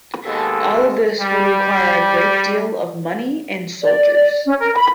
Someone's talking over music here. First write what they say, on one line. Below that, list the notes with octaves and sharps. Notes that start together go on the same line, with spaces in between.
All of this would require a great deal of money and soldiers.
D#2 B2 G#3 A4
G3
D5
C#4
A#4
B5